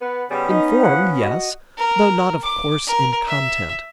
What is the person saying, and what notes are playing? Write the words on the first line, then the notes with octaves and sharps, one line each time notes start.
In form, yes, though not of course in content.
B3 B4
C#3 G3 B3 C#4
D#4
E3 F3 F#5
F#4 D#5
A#4
D6
A#4
E5